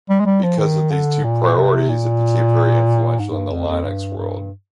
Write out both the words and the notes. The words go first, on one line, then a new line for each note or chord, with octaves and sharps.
Because of these two priorities it became very influential in the Linux world.
G3
G#3
G3
F3
D#3
D3
A#2
C3
A#2
G#2
G#2
G2
F2
F2
G2
G2